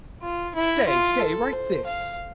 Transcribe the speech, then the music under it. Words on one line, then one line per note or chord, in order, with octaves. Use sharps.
Stay, stay, write this.
F4
E4
F4
A4
C5
F5